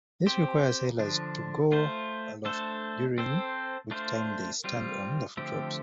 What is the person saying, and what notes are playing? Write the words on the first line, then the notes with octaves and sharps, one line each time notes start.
This requires sailors to go aloft, during which time they stand on the footropes.
C4 G4 C5
D3 F3 D4
A3 F4 C5
A3 D4 A4 C5
C4 A4 C5
A3 D4 F4 C5
G3 C4 F4
D3 F3 A3 C4 G4